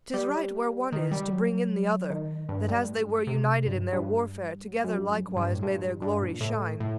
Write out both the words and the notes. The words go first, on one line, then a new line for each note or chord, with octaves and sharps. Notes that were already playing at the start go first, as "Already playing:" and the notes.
'Tis right, where one is, to bring in the other, That, as they were united in their warfare, Together likewise may their glory shine.
G3
D#3
G3
F#3
D#3
G2
G2
A2
G2
C3
G2
G2
F#2
G2
F#2
G2
G2
A2
G2
G2
A#2
A2
A2